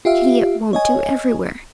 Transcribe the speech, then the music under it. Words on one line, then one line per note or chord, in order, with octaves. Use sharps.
Pity it won't do everywhere!
F4 G4 E5 F5
C#5 D#5 G#5